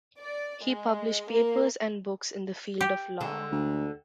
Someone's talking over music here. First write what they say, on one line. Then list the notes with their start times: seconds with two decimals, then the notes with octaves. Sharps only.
He published papers and books in the field of law.
0.19 D5
0.64 G#3
1.31 A#3
2.81 G4
3.21 D3 G#3
3.52 D2